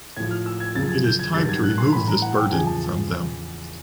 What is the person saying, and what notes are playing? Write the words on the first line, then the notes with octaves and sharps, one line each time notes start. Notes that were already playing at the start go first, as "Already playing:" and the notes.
It is time to remove this burden from them.
A2 F3 G#6
F6
E6
G#6
F#2 C#3 F3 A6
G#6
G6
G#6
G2 D#3 F#3 A6
G#6
F#6
C6
A2 E3 B5
A#5
F#5
G5
E2 C#3 F3 G#5
A5